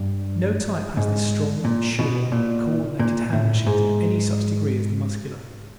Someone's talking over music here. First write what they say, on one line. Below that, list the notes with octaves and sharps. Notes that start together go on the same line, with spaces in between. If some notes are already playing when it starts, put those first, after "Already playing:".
No type has this strong, sure, co-ordinated hand-machine to any such degree as the Muscular.
Already playing: G2
G#2
A#2
B2
A#2
A#2
A2
G#2